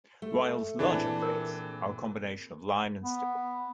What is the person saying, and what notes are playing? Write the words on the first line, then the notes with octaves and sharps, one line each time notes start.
Ryall's larger plates are a combination of line and stipple.
A3
A#2 E3 C4 D4 G#4
A#4
B3